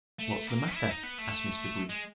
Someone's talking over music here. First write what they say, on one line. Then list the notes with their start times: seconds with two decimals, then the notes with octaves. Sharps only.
"What's the matter?" asked Mr. Brief.
0.19 A3
0.47 A#3
0.75 E4
0.90 D#4
1.03 B3
1.18 A3
1.89 G#3